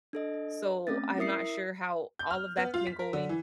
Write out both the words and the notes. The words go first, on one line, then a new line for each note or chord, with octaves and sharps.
so I'm not sure how all of that's been going.
D4 A4 D#5
A3 C4 C#4 A6
E4 A#4 E5 D#6 C7 C#7
G6
F6
B3
F4
B6
A#4
D3
E3